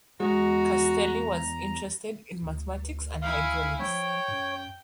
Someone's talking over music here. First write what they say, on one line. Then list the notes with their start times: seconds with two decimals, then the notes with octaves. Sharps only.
Castelli was interested in mathematics and hydraulics.
0.20 E2 G#3 F#4 A#5
2.42 D2
3.22 E4 F5 G#5
3.79 F3 C#5 G5
4.28 F#2